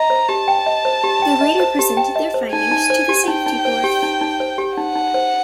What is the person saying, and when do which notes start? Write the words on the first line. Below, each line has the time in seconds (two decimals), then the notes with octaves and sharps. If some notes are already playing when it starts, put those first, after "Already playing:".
They later presented their findings to the safety board.
Already playing: D#5 A#5
0.10 C5
0.29 G4 A5
0.48 G5
0.66 D#5
0.85 C5
1.04 G4
1.22 G5
1.41 D#5
1.60 C5
1.79 G4
1.97 G5
2.16 D#5
2.34 C5
2.53 D#4 G#5
2.71 D#4
2.90 C5
3.09 G4
3.28 D#4 G5
3.46 D#4
3.65 C5
3.84 G4
4.03 D#4
4.21 D#4
4.40 C5
4.58 G4
4.77 D#4 F#5
4.96 D#4
5.14 C5